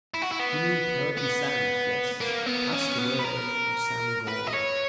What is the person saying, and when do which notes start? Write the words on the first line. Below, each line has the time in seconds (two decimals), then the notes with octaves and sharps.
"You mean carroty Sam, I guess--pass the word for Sam Gall."
0.14 E4
0.22 F#4
0.31 E4
0.39 B3
1.17 B3
2.21 A#3
2.46 B3
2.72 C#4
2.98 B3
3.19 B4
3.25 A#4
4.28 B4
4.47 D#5
4.53 C#5